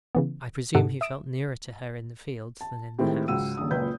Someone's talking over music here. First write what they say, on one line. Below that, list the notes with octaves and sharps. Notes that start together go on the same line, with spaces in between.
I presume he felt nearer to her in the fields than in the house.
C#3 E3 B3
G#2 C3 D#4 A4 F#5
E5 D#6 D7 E7
A5
A2 D#3 G#3 C4 E4 G4
C#2 G#2 F#3 E6 D#7
D#1 C#3 D4 D#6
F#1 C#2 A#2 B4 G6